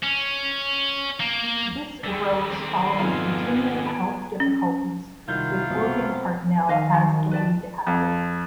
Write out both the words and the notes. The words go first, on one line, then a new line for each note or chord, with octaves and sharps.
This arose following continuing health difficulties with William Hartnell as the lead actor.
C#4
A#3
D3 D#3 G#4 B6
C4
B1 F2 G#2 B3 F4 G#5
A5 B5 D7
C#4
C2 D#3 F#3 E4 F4 G6
B2 C4
D#3 B4 D#5 F5
F#4
B4 D5 A5
F2